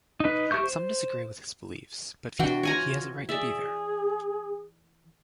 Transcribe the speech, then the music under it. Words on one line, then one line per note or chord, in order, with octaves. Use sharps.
Some disagree with his beliefs, but feel he has a right to be there.
D#4 B4
G4 E5 C#6 G6
C5
E3 D4 F#4 G5
F4 C#5 G#5 A#5
G#4 D5 E5